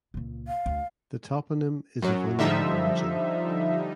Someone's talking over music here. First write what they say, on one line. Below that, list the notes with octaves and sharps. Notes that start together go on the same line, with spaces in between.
The toponym is of unknown origin.
C#2 A#2
F5
D2
F#2 F#3
D3 F3 G3 D#4 E5